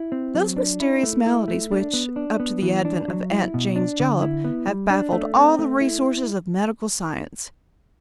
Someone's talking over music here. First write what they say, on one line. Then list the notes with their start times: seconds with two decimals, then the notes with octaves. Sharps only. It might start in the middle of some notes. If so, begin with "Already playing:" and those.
Those mysterious maladies which, up to the advent of 'Aunt Jane's Jalap,' have baffled all the resources of medical science.
Already playing: E4
0.12 C4
0.35 F#3
0.57 D4
0.80 E4
1.03 A3
1.26 E4
1.48 A3
1.72 D4
1.93 B3
2.16 D4
2.40 B3
2.62 E3
2.85 D4
3.08 F#3
3.31 E4
3.54 B2
3.76 D4
4.00 D3
4.22 E4
4.44 B3
4.67 G3
4.90 D4
5.13 A3
5.35 C4
5.59 A3
5.81 E4